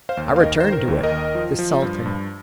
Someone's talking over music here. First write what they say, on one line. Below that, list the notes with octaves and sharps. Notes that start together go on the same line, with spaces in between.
I returned to it--the Sultan.
C5 F5
D#2
F5
D#3 A#4 D#5
D#3 C5
A#4
D#2
A#4 D#5
D#3
F3
F3
G2
G2